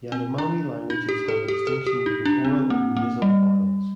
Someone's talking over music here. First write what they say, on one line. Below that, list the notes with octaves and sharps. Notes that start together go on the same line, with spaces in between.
Yanomami languages have a distinction between oral and nasal vowels.
C4
D4
D#4
G4
A4
G4
A4
G4
D#4
D4
C4
A#3
A#3
G3